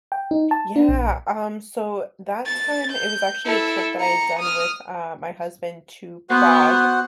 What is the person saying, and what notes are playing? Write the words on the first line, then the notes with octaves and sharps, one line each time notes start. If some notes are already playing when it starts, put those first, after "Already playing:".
Yeah, um, so that time it was actually a trip that I had done with, uh, my husband to Prague,
G5
D#4
A5
D4
A#1
A6
G6
E4 A4
A#5 C#7
D#6 F6
B3 F#4 C5 F#5